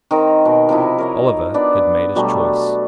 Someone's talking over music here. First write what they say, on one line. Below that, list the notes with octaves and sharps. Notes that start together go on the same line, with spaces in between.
Oliver had made his choice.
D#3 C4 D#4 A#4
B2
C3 F3 D#4 E4
A#4 C#5 D#5
B3 D4 D5 E5
B2 F#3 G3 A3